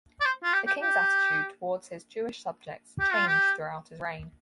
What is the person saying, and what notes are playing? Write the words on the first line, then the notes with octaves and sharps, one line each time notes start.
The King's attitude towards his Jewish subjects changed throughout his reign.
D5
C5
F4
G4
G4
G4
G4
F4
G4